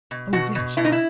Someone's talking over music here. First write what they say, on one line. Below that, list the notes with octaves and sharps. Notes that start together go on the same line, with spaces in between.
"Oh, yes."
B2
B2 F#4
B2
B2 E4
D#4
E4